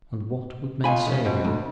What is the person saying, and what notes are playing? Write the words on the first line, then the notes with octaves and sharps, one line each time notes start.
"And what would men say of you?"
B2 F4 G#5 B5
E2 C#4
G#2 B2 C4
D2